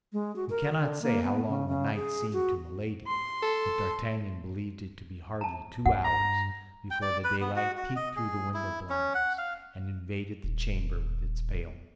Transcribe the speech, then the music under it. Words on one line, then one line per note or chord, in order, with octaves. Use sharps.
We cannot say how long the night seemed to Milady, but d'Artagnan believed it to be hardly two hours before the daylight peeped through the window blinds, and invaded the chamber with its paleness.
G#3
F#4
A#4
D3
A#3
B3
C#3
C#3
G#4
F#4
C6
A4
A5 A#5
G2 F#5
A#5
G5
D5
B4
B3
F#4
F#4
D#5
G#4
E4
C#4
F#5
F5
D#1